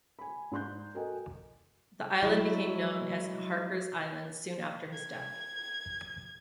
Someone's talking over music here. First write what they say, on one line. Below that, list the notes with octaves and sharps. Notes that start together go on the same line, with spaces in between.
The island became known as Harkers Island soon after his death.
G#5 B5
G#2 D4 C6 F#6 G6
F#4 A4 A#4 D#5 G5 G#5
F#3 G#3 E4
G#6